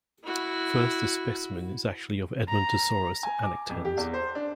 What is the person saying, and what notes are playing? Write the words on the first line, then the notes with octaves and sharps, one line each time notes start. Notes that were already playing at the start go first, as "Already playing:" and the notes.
First, the specimen is actually of "Edmontosaurus annectens".
E4 F#4
A#5
G#5
D6
F2
G4
E2
C5
D4